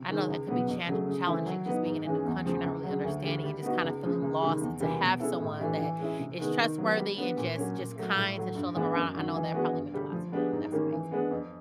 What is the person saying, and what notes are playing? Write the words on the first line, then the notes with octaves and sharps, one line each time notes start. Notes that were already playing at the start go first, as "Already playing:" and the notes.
I know that could be challenge challenging just being in a new country, not really understanding and just kinda feeling lost, and to have someone that is trustworthy and just just kind to show them around, I know that probably meant a lot to them. That's amazing.
Already playing: C3
D#3 G#3 C4
C#2
B2 F#3 B3
F2
C#3 F#3 A3
C#3
E3 A3 C4 E4
F#3
B3 D#4
G#2
E3 G#3 C#4
E2
C#3 F3 G#3 C4
C#2
C#3 F#3
D2
D3 G3
G3
B3 D#4 F#4
C#2
C#3 F3 G#3
C#2
C3 D#3 G3
E2
C3 E3 G3 A#3
B2
G#3 C#4 E4 A4
A2
E3 A3 D4 G4
E3
G#3 C#4 E4
C3
D#3 G#3 B3
D#3
F#3 B3 D#4
G3
B3 D4
A#2
F#3 A#3 C#4
A#2
F#3 A3
A2
F#3 A3
G2
E3 G#3 B3 D4
F#2
D#3 F#3
E3
G#3 B3 D4 F#4
G2
D3 G3
F3
G#3 B3 D4 G4
G#2
D#3 G3 A#3 C#4
E3
G#3 B3 D4
F2